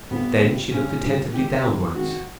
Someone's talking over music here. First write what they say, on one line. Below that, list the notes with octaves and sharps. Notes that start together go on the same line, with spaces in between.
Then she looked attentively downwards.
G2 D3 G3 B3 C4 F4
G2 D3 G3 C4 F4
G2 D3 G3 C4 C#4 F4
G2 D3 G3 C4 F4
C3 D#3 G#3 G4
C3 D#3 G#3
C3 D#3 G#3 F#4